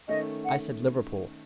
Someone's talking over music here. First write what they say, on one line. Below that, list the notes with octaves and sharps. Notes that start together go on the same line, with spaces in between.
"I said Liverpool."
D#3 A3 C#4 D#5
F#5